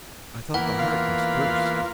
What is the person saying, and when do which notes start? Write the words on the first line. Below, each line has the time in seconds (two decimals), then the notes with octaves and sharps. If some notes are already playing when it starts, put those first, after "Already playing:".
I thought the heart must burst.
0.54 E2 A#3 B4 F#5
0.78 F4